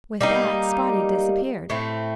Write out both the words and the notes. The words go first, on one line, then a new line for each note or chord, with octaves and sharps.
With that Spotty disappeared.
G3 A#3 D#4
A2 A3 C4